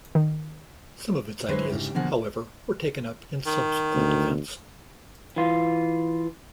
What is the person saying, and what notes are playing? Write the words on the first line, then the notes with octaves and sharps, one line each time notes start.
Some of its ideas, however, were taken up in subsequent events.
D#3
D3 F#3 G#3 E4 B4 C5
G#2 C#3 G4
B2 D3 F3 A#3 G#4 F#5
D#3
D2
E3 F4